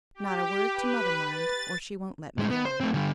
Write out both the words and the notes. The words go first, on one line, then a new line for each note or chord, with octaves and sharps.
Not a word to mother, mind, or she won't let me go.
G4
B4
A6
A2 G#3
B3
C5
A3 C4
D3 G3